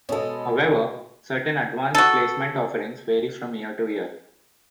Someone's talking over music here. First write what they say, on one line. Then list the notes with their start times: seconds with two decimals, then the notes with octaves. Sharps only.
However, certain Advanced Placement offerings vary from year to year.
0.09 B2 G#3 C#4 A4
1.95 F#4 A4